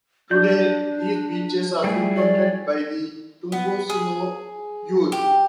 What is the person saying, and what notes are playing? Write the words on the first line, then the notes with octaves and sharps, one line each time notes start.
Today, these beaches are frequented by the "tumbesino" youth.
D4 D5 G6
G3 A3 E4 G#4
D5
B3
G#4
G4